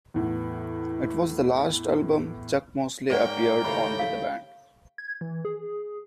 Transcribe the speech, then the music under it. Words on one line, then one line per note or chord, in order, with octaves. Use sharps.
It was the last album Chuck Mosley appeared on with the band.
E2 A2 B3
G#2 A#3 C#4 B4 D5 F#5 G5
D#2 A2 C#3 B5
F5
G#6
E3
G#4